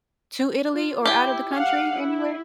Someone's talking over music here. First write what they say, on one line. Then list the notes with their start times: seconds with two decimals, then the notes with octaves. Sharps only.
to Italy or outta the country, anywhere?
0.73 F4
1.06 E4 G4 G5
1.54 F5 F#5
2.01 E4